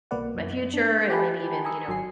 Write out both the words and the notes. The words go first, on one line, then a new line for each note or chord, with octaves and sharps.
my future and maybe even, you know,
C2 B2 A#3 B4 D5 F#5
F#2
D4 A6
G4 F#5 G#5 A5 B5
G#5 A#5 B5 D#6 E6 C#7
G#1 F#3 G#5 C7